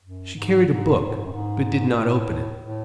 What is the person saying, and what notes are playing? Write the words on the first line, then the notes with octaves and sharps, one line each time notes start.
She carried a book, but did not open it.
F#2
G#2
G#2
G#2
A2
G#2
F#2
G#2
B2
A2
A2